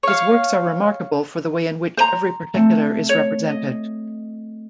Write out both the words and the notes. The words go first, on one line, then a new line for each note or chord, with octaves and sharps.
His works are remarkable for the way in which every particular is represented.
C#5 F5
C5 A#5
A3 C4
C#5
D#5